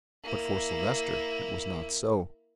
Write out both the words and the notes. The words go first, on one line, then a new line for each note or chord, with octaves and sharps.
But for Silvester it was not so.
A#3 E4